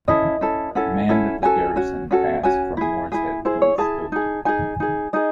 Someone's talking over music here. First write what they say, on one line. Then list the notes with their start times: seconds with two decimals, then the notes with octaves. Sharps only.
Command of the garrison passed from Morshead to Scobie.
0.08 C#4 E4 A4 D#5
0.41 C#4 E4 A4
0.75 C#4 E4 A4 F#5
1.09 C#4 E4 A4
1.42 C#4 F#4 A4 G#5
1.76 C#4 F#4
2.11 C#4 F#4 A4
2.43 C#4 F#4 G#5
2.77 E4 G#4
3.12 E4 G#4
3.45 E4 G#4 C5
3.62 C#5
3.78 E4 G#4 A5
4.12 D#4 G#4
4.45 D#4 G#4 G#5
4.80 D#4 G#4
5.13 D#4 G#4 D#5